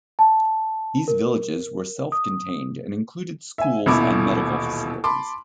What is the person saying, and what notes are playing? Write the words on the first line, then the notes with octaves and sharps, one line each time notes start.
These "villages" were self-contained and included schools and medical facilities.
A5
A#4
D#6
E5 G#5
D#1 A1 B2 E4 B5 D6
A5 B5 C6 D6